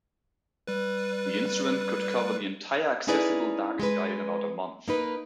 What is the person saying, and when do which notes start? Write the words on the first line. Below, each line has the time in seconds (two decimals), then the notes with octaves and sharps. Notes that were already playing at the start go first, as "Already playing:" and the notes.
The instrument could cover the entire accessible dark sky in about a month.
0.67 G3 B4
3.07 C#4 D#4 E4 G#4 B4 D5
3.80 G#3 B4
4.88 A#3 D#4 B4